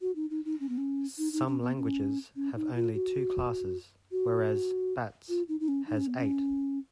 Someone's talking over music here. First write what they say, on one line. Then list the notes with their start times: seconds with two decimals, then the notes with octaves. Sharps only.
Some languages have only two classes, whereas Bats has eight.
0.01 F#4
0.16 D#4
0.30 D#4
0.45 D#4
0.60 C#4
0.69 B3
0.78 C#4
1.18 D#4
1.33 D#4
1.48 C#4
1.62 B3
1.77 C#4
2.36 C#4
2.56 D#4
2.75 F4
2.94 F#4
4.12 F#4
5.29 F4
5.49 D#4
5.60 D#4
5.68 C#4
5.87 D#4
5.97 C#4
6.07 B3
6.17 C#4